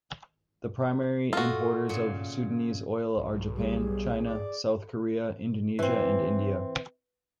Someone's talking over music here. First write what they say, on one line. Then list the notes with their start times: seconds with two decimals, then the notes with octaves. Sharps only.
The primary importers of Sudanese oil are Japan, China, South Korea, Indonesia, and India.
1.33 A3 F4 F#4 D#5
1.89 A#2 C#3
3.16 B1
3.33 B1
3.56 G3 G#4
4.26 D5
5.79 E3 C4